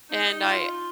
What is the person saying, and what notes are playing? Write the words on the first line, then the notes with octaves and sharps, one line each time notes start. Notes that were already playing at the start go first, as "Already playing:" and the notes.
and I
D#4
F4